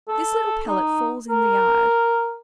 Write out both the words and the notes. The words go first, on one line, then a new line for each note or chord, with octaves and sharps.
This little pellet falls in the yard.
A4
D#4
A#4